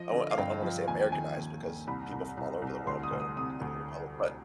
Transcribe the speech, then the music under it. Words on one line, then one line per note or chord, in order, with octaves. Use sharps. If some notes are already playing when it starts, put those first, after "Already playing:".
I want I don't I wanna say Americanized because people from all over the world go to Dominican Republic, but,
Already playing: F3 D#5
D3
F5
G2 G5
F3
D#2 G#5
G5
D#3 G#5
D#2
D#2
C2 B5
C2
C2
C2
D2 C6
D#6
D2
D#6
C3 D#6
D2